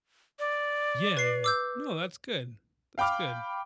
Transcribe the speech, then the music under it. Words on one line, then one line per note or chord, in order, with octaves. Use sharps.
Yeah, yeah. No, that's good, that's good.
D5
B4 C7
D6 E6 G6
F5 G5 B5 D6 F6